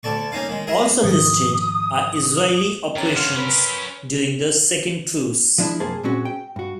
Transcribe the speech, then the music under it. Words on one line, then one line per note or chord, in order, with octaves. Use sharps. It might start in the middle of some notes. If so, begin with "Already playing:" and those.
Also listed are Israeli operations during the second truce.
D2 A4 D5 C#6
A#3 C#4 D#4 F5
D#3 G#3
G#4 A#4 E5
G#2 D#3 F3 D#6
G2 D3 C#4 G5 A#5 A6
G2 F#5 C6 F6
C#4 A#4 B4
F3 G#3 D4 E4
C2 F#2 A#3 G#4 C5 A5
A#2 G#3 C4 C#4 F#4
G5
G2 F#4